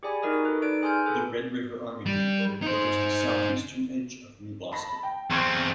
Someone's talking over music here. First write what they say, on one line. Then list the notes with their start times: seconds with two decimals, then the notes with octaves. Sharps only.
The Red River Army Depot borders the southeastern edge of New Boston.
0.03 G4 G#4 D5 G#5 B5
0.22 D#4 E4 F#4 A#4 D#5 D#6
0.45 A4 B4
0.62 D#4 B4 D5 D7
0.82 G#4 G#5 C6 F6 G6
1.06 E4 G#4 A4 B4
2.06 G3
2.62 D#4 C5
4.72 A5 B5 A#6
5.03 G5
5.31 E2 C4 C6 C#6 G#6